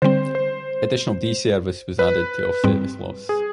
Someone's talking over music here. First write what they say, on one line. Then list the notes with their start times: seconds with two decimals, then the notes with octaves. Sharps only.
Additional D service was added to offset this loss.
0.02 D3 G3 C4 C5
0.35 C5
1.99 B4
2.64 G#2 G3 C4
3.29 G#4